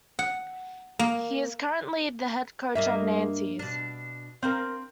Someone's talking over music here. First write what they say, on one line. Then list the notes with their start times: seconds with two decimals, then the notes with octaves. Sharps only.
He is currently the head coach of Nantes.
0.19 F#5
0.99 A#3
2.75 G2 A#3 D#5 E5
3.59 B2 D4
4.43 C4 A#4 C5 F5